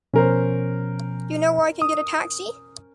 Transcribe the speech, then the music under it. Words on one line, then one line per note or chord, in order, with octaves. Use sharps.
Do you know where I can get a taxi?
B2 F3 C#4 A#4 C5
D#6